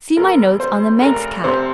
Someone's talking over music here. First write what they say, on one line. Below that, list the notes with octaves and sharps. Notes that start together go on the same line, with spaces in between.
See my notes on the Manx cat.
E1 A#4
E1 C5
F1 A#4
C3 C5